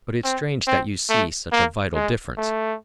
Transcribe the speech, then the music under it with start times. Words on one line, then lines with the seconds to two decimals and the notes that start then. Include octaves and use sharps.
"But it's strange that you see such a vital difference."
0.24 C4
0.67 C4
1.09 A3
1.52 A#3
1.95 G#3
2.37 A3